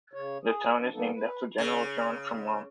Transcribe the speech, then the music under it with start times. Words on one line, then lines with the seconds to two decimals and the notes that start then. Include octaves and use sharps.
The town is named after General John Fremont.
0.13 C#3 C#5
0.43 G#4
0.81 F3 D4
0.93 E3 G3 A#3 B3 D#4 A4
1.14 B4
1.58 C#3